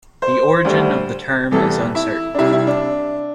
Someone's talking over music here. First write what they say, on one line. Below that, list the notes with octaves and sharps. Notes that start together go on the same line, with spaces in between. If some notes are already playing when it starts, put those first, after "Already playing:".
The origin of the term is uncertain.
C5
D2 D3 G3
E2 C3 E3 G3 A4
E4
D4
C2 C3 G3 E4
E4
D4